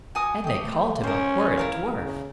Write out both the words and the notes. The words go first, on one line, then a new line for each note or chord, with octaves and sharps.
And they called him a horrid dwarf!
F#4 G#5 D#6
A3 G4 D#5
C#4 A#4 C5
E4 A#4 F5
C#3